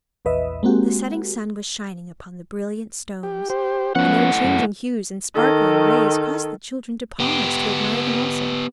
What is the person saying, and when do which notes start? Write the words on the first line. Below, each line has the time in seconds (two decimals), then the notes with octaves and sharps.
The setting sun was shining upon the brilliant stones, and their changing hues and sparkling rays caused the children to pause to admire them also.
0.25 A#1 E2 B4 D#5 E5
0.63 G#3 A#3 C4 F#4 G4
3.23 G4
3.50 G4 C5
3.95 A2 F3 B3 C#4 F#5
4.44 F#2
5.35 D#3 A4
7.20 B3 G4